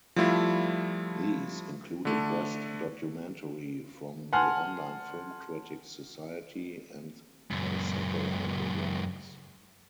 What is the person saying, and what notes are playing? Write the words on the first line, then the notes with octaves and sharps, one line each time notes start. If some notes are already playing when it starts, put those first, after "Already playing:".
These included Best Documentary from the Online Film Critics Society and the Satellite Awards.
F3 G3 A3 E4 F4
D3 A3
F#5 G#5 A5 C6 F6
C#2 F#2